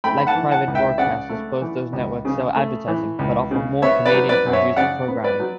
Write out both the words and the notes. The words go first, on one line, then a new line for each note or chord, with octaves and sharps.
Like private broadcasters, both those networks sell advertising, but offer more Canadian-produced programming.
A3 G5 B5
B5
F#5 A5
E3
F#5 A5
C#2
E5 G5
C#3 D5 F#5
A3
E3
C#2
C#3
A3
E3
C#2
C#3
B3 C#5 E5
B4 D5
F#3
B4 D5
F#2
C#5 E5
C#3 D5 F#5
B3
B4 D5
F#3